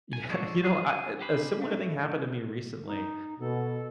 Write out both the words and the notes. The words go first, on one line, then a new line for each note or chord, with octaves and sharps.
Yeah. You know, I a similar thing happened to me recently,
G#5
F3 G#3 C4 D4 A4 C#5
G#2 F4 G#4
G#5
G4 G#4 B4 C5
A2 A3
D#4
B2 A4